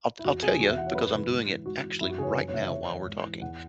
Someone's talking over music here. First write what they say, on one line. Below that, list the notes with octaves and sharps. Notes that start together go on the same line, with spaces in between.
I'll I'll tell ya, because I'm doing it, actually right now while we're talking,
E4
E2 F#4
B2 G#4
E2 F#4
E5
E3 F#5
C#5
F#2 B4
C#3 E3
G#2
E3
G#2 F#4
E3
F#2 E4
F#4
C#3 E3 G#4 C#5
B4
F#2
C#5
C#3 E3 E5
E2 C#5
E3
G#2
E3
E2 F#5